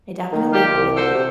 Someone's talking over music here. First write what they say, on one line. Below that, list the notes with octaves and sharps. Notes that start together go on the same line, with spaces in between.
I definitely feel like,
D#3
F4 G4
C2
F#4 A4 C5
C3